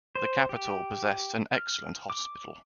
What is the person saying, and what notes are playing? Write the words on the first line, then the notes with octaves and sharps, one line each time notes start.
The capital possessed an excellent hospital.
C5
G4
F6
D6